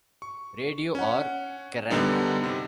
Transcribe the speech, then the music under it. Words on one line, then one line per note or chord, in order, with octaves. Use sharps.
Radio or Kerrang!
C#6
C#4 F#5
F#2 D3 G3 B3 D4 D#4
C3